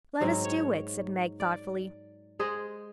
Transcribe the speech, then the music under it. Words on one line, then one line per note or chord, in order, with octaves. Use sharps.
"Let us do it," said Meg thoughtfully.
G#2 F#3 C4
C#5
D5
G#3 G#4 C5 D#5